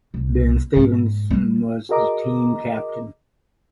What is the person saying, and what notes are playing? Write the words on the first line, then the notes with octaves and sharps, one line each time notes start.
Ben Stevenson was the team captain.
C2
G#2
G3
F#4 G#4 A#4 D#5 A#5 D6